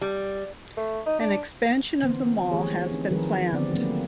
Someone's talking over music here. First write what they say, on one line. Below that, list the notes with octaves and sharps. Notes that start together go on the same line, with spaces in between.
An expansion of the mall has been planned.
G3
A3
D#4
D4
D3 E3 B3 C4 C5
E3 F3 A3 G4 G#4 C#5
C4 D4 D#4
D#3 F3 G#4 A#4 B4
D3 B3 C4 D5
F#3 A3 A#3 C4 B4